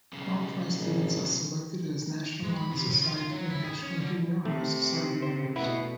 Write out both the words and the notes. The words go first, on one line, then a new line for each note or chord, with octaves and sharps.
Qualified students are selected as National Honor Society and National Junior Honor Society members.
B1 C#3
G#1
G#3
B5
C3
C#3
F4
F4
F#3
E4
G#4
C#4
D3
C3 A3
C5
B2 A3 E4 B4 F#5